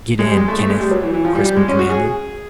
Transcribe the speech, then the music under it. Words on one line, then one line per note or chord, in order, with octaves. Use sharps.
"Get in, Kenneth," Crispin commanded.
G#3
G3
G#3
A3
A3
G#3
G3
F#3
E3
E3
F3
G3
G3
G#3
C#4
F#4
G#4